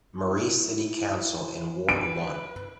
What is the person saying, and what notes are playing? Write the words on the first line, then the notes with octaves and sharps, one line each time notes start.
Marie City Council in Ward One.
E4
B4 D7